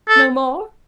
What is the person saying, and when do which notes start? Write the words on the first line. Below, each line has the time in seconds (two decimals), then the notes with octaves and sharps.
"No more?"
0.09 A4